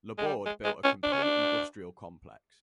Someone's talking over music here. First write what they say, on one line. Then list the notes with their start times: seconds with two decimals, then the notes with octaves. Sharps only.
Laborde built a complete industrial complex.
0.18 G#3
0.26 G3
0.46 G#3
0.64 G#3
0.84 C#4
1.03 D4
1.13 C#4
1.24 D4